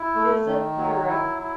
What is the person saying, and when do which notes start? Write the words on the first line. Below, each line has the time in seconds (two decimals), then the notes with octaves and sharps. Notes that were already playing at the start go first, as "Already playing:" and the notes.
visit Europe.
Already playing: E4
0.15 A3
0.46 D#3
0.77 F#3
1.08 E4
1.39 E4